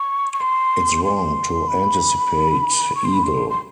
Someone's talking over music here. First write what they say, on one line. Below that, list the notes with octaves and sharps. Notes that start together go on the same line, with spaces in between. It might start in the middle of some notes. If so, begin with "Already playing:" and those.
It’s wrong to anticipate evil.
Already playing: C#6
C#6
C6
C6
B5
C#6
C6
B5
C6
C6